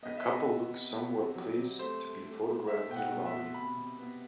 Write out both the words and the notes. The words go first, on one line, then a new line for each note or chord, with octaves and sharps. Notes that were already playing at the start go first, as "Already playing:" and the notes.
A couple looks somewhat pleased to be photographed in a lobby.
B3 D#5
E5
B3 D#5
C3
C3
B3
C3
F#3
C3
A3 C5
A3
A3
A3
A3 E5
B2 G5
F#5
B2
E5
B2
C3 B5
C3
B3